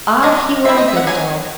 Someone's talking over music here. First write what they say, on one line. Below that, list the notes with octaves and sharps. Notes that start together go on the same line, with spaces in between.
Ah; he were a good dog.
F#3 D#5
C4 E4 E5
D#5
E5
F#5
F#3 G#5